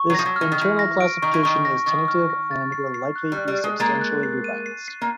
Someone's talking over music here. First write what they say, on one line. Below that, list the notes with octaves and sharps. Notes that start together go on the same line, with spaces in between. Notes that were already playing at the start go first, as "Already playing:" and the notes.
This internal classification is tentative and will likely be substantially revised.
Already playing: C#6
F#3
F3 A#6
F#3
F6
E3
D#3
E3 F6
A#6
D7
D#3 C#6
E3
D#3 C#6
A#6
D#3 C#6
F6
A#6
A6
C7
C7
F#6
G3
F#6
G3
C7
G#3
G#3 A#3 A6
F#6
C7
D#7
C7
C7
A#3